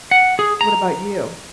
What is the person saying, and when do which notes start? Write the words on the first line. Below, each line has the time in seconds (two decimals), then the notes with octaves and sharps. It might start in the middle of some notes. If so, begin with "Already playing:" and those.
What about you?
0.11 F#5
0.39 G#4
0.61 A#5